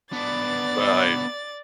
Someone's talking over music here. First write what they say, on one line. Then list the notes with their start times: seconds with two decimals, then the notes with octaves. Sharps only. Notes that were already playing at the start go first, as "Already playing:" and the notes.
but like
0.12 B3 D4 D5 A6